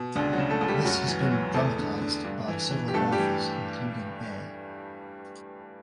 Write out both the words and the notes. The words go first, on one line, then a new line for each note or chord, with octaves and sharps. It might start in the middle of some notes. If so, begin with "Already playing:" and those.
This has been dramatized by several authors including A.
Already playing: B2
C#2 D3 D4
F#3 F#4
C#3
A3 A4
C#2
G3 G4
F#2 F#3 F#4
E3
F#3 F#4
E3
E2 A3 A4
D3
D3
G2
E3
E3
G4
G2 A3 A4
G3 G4
E3